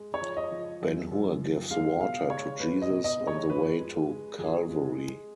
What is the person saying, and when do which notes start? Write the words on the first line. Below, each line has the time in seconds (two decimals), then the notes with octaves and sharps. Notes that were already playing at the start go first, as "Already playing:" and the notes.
Ben-Hur gives water to Jesus on the way to Calvary.
Already playing: G#3
0.14 C#5
0.22 F3
0.37 D#5
0.51 F3
0.82 F#2
1.11 F#2
1.41 F3
1.71 G#3 F5
2.00 B2 F5
2.30 G#3 C#5
2.60 G#3 B4
2.82 D#5
2.90 B2
3.04 D#5
3.20 G#3
3.27 C#5
3.49 F2 B4
3.79 G#3
4.09 G#3
4.38 F2 G#4
4.69 G#3
4.98 G#3